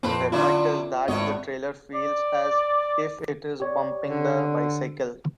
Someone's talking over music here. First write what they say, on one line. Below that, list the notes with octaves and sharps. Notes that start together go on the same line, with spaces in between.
The effect is that the trailer feels as if it is 'bumping' the bicycle.
F2 A#2 C4 B4
D3 F#3 C#4 E4 F4 D5
G#1 A2 C#5 D#5
D5
G4 C#5 D5
D3